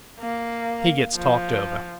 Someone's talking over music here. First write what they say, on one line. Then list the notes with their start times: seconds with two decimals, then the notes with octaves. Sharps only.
He gets talked over.
0.20 A#3
1.16 F3